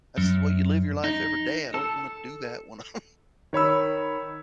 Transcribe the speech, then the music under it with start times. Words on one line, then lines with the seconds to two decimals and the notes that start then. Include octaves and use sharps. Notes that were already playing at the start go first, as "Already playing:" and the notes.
That's the way you live your life every day. I don't wanna do that when I'm
0.18 F#2
1.04 D#4
1.74 A4
3.53 D#3 C#5 B5 E6